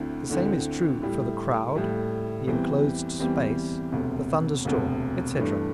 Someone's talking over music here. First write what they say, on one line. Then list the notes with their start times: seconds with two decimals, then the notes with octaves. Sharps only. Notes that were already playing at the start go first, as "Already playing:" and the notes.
The same is true for the crowd, the enclosed space, the thunder-storm, etc.
Already playing: D2 D3 C4 E4
0.29 D2 D3 C4 E4
1.02 A2 G3 E4
1.75 A2 G3 E4
2.47 E2 E3 G3 C4
3.19 E2 E3 G3 C4
3.92 E1 D2 C3
4.65 E1 D2 C3
5.37 G2 E3 A3 D4